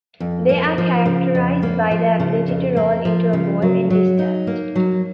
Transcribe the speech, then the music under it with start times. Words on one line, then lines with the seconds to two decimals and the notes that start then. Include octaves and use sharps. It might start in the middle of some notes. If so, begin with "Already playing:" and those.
They are characterised by their ability to roll into a ball when disturbed.
0.20 F2
0.49 A#3
0.78 F3
1.06 C#3
1.35 F2
1.63 A#3
1.91 F3
2.20 C#3
2.48 F2
2.76 A#3
3.05 F3
3.33 C#3
3.62 F#3
3.90 F#3
4.19 D#4
4.47 A#3
4.75 F#3